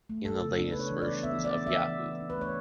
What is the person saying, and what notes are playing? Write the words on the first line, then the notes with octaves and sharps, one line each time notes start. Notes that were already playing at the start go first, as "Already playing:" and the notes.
In the latest versions of Yahoo!
A3
A3 A4
C#3
B3 D4
D4 B4
C#5
E3
D5
B3
B3 E5
E3
D5
B3
E3 E5
E3
E3
D4
B4
A3 C#5